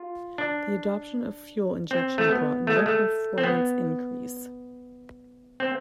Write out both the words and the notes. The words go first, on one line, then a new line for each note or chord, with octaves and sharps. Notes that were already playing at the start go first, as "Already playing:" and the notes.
The adoption of fuel injection brought no performance increase.
Already playing: F4
D4
C4
A3
B3
A3
G#3
A3
C4
B3
C4